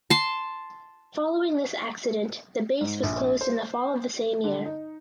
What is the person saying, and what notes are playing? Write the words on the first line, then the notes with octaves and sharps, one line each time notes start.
Following this accident the base was closed in the fall of the same year.
A5 C6
G#2
A#1
C5
D3
D#4